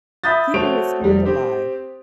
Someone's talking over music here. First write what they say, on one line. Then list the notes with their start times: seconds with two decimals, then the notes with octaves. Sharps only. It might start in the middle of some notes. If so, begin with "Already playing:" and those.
Keeping his spirit alive.
0.24 E5 B5 D#6 G6 A6
0.54 A3 C4 F#4 C#5 D7 F7
1.01 F1 G3
1.25 C4 G4